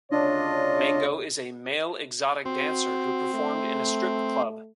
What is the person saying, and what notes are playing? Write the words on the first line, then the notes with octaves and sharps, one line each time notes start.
Mango is a male exotic dancer who performed in a strip club.
D2 C#3 D4 F4 C#5 D#5
C4 F#4
A3